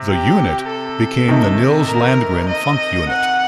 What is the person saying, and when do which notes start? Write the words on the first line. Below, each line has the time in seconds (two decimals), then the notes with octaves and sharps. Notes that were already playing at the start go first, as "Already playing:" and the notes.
The "Unit" became the Nils Landgren Funk Unit.
Already playing: C3
0.09 G4
0.68 A4
1.28 C3 D#3 A3 D#4
1.88 A#4
2.49 D#5
3.09 F#5